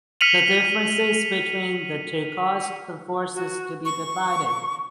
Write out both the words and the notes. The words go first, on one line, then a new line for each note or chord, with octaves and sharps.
The differences between the two caused the forces to be divided.
F6 B6 C#7 D#7 F7 F#7
F#4
C#6